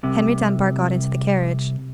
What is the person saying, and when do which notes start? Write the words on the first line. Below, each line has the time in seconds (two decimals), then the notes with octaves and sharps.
Henry Dunbar got into the carriage.
0.03 C2 C3